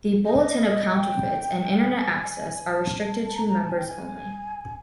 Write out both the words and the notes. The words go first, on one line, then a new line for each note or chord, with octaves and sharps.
The Bulletin of Counterfeits and Internet-access are restricted to members only.
D#5
G5
G#5
A5
A5
A#5
A#5
A5
G#5
G5
G#5